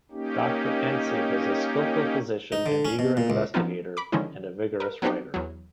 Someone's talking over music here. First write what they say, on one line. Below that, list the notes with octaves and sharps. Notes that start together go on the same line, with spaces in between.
Doctor Anstie was a skilful physician, an eager investigator, and a vigorous writer.
A#3 C#4 D#4 G4
D#4
D3
C#4
B2
A#2
C#2
F3 F#3 B3 C4 D#4 F4
B5 D6
D3 D#3 F3 G#3 C#4 E4
A#4 B4
F#3 B3 C4 D4 D#4 G4
E2 F#3